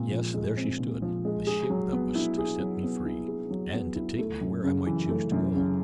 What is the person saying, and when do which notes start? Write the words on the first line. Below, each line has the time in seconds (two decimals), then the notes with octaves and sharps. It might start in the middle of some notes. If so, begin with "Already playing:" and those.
Yes, there she stood, the ship that was to set me free, and to take me where I might choose to go.
Already playing: A#2 G#3 C4
0.11 F3
0.34 G#3
0.57 C4
0.79 A#2
1.02 F3
1.25 G#3
1.47 G#4
1.70 F#3
1.92 B3
2.15 E4
2.38 G#4
2.60 F#3
2.83 B3
3.05 E4
3.28 G#4
3.50 F#3
3.73 B3
3.96 E4
4.19 A3
4.41 F#2
4.64 C#3
4.87 E3
5.09 A3
5.32 F#2
5.54 C#3